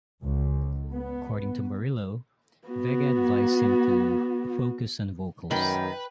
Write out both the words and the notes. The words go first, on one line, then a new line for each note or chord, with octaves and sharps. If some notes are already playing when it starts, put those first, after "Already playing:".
According to Morillo, Vega advised him to "focus on vocals".
C#2
B3
B3 F#4
F#2 D#3 B4 G5 B5